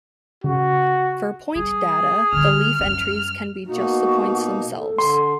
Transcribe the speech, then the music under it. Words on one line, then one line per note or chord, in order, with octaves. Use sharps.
For point data, the leaf entries can be just the points themselves.
C#3 F#4
G3 G#4
D3 G3 F6
F#2 G3
B2 A#3 D#4 F#4
A4
D3 C6